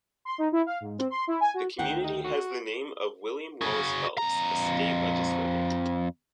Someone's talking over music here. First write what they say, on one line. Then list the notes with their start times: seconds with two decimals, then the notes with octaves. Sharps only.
The community has the name of William Wallace Phelps, a state legislator.
0.25 C6
0.38 D#4
0.52 E4
0.66 F5
0.80 G#2
0.98 C4
1.10 C6
1.27 E4
1.40 G#5
1.54 F#4
1.79 D2 D#3 F#5 G5
2.04 D#4
2.25 F#4
3.61 F#4 G#4
4.18 F2 A#5